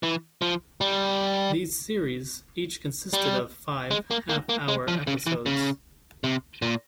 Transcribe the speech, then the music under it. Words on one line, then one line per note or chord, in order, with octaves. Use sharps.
These series each consisted of five half-hour episodes.
E3
F3
G3
G3
G#3
A#3
A#3
A#3
G#3
F3
C#3
E3
C#3
C3
A#2